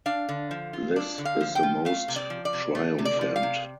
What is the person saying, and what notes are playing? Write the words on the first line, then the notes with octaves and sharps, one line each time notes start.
This is the most triumphant.
D4 F5
D3
F3
F4
D4
D3
F5
F3
G5
F4
A3 F5
C3
D5
F3
D5
C3
A3
C3
D5
F3
F5
C3